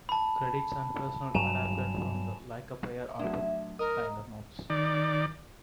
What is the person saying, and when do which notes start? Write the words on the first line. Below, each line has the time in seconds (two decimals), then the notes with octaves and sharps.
Credits and personnel adapted from "Like a Prayer" album liner notes.
0.09 A5 B5
1.35 G2 F#3 G#5 E7 F7
3.19 F#3 A3 D4 E5
3.79 A#4 D#5 A#5 D#6
4.70 D#3 D5